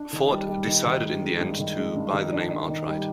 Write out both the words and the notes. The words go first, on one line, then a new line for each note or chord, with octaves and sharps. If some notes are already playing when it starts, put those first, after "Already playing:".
Ford decided in the end to buy the name outright.
Already playing: D4
D#3
G3
G3
D#3
D#3
G#3
G#3
G2
D#3
G#3
G2
D#3
D4
D4
D#3
G3